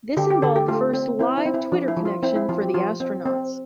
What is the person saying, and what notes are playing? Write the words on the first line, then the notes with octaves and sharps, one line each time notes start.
This involved the first "live" Twitter connection for the astronauts.
D3 G4
G4
D3 A4
G4
A3 F4
C4
C4 E4
E4
C4
E4
F3 D4
E4
F3
F4
C4 E4
E4
F3 F4
G4
F3 F4
C4
C4